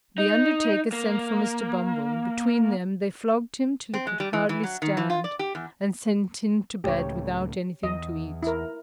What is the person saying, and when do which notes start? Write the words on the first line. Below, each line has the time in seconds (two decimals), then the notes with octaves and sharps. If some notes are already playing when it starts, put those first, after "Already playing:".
The undertaker sent for Mr. Bumble, and between them they flogged him till he could hardly stand and sent him to bed without anything to eat.
0.18 D#4
0.93 A#3
3.94 C4
4.07 G#3
4.20 G3
4.33 E3
4.49 E3
4.63 F#3
4.82 D#3
4.97 E3
5.10 F4
5.24 D5
5.39 G4
5.55 E2
6.84 C#2 A2 G4 C#5
7.83 E2 D#5
8.43 E4 A#4